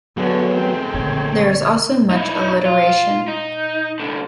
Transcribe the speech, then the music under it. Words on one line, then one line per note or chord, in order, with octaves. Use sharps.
There is also much alliteration.
D3 F#3 A3 B3 G#4 C#5
D#3 C4
A#1 D3 C#5
D#4 E4
F4
D#4
C2 D3